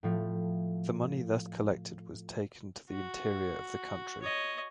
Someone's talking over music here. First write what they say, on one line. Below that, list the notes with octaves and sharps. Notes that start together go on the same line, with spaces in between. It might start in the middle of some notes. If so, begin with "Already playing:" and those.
The money thus collected was taken to the interior of the country.
A2 F3 A3
F#4
C#5 D#5